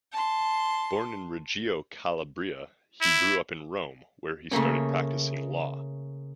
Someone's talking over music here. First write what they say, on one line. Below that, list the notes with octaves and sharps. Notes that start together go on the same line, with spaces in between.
Born in Reggio Calabria, he grew up in Rome, where he started practicing law.
A5 C6
E4
C#3 A3 A#3 C#4